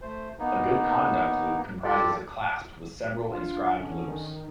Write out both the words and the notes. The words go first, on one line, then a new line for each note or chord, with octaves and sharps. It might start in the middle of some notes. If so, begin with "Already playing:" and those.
A Good Conduct Loop comprises a clasp with several inscribed loops.
A3 C5
A#3 B3 D#4
F4 G4 A4 D5
D4 F4
D3 C#4
D#3